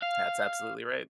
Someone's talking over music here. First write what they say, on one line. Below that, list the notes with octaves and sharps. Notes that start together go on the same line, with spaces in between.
That's absolutely right.
F5